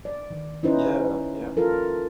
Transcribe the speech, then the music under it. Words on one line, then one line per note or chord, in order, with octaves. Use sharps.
Yeah, yeah.
D5
D#3
C#4 D#4 E4 B4 C5
F4 A4 A#4